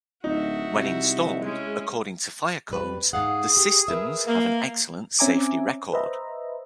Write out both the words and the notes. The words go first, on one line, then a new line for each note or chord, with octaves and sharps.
When installed according to fire codes the systems have an excellent safety record.
D1 D#4 F#4 E5
C2
G#3 C#4 E4
F2 G3 B4
G#2 G#4 F5 F#5
G4
A#4 B4 E5
A#3
C4 C#4 E5 G#5 A#5 D6
B4 C5 D#5 E5 A#5